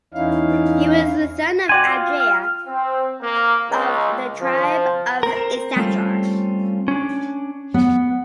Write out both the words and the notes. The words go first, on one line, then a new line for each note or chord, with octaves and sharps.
He was the son of Ahijah of the Tribe of Issachar.
E2 E3 C#4 D#4 E4 F5
F#4 D5 G5 G#5 C6
F4
F6
C4
A#3
C#2
F3
C4 A#4
G3 A3 C4 C#4 F4 A4
C#4 D4
B3